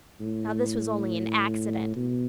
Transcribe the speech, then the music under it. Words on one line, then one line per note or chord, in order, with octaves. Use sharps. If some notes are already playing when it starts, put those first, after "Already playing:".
Now, this was only an accident.
A2
B2